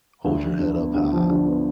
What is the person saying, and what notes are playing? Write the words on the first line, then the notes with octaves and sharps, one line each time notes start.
Hold your head up high.
D2
F3
D3
B3
D2
F3
D3
B3